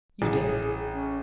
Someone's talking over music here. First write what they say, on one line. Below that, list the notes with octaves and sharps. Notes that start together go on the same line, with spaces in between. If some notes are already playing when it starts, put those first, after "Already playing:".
"You did."
A1 G#4
C#4